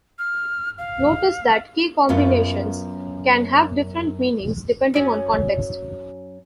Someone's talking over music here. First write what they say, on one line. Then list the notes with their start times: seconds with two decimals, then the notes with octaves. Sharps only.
Notice that key combinations can have different meanings depending on context.
0.19 F6
0.78 F5
2.09 F#2 B3 C#4 F4
4.94 F#2 C#4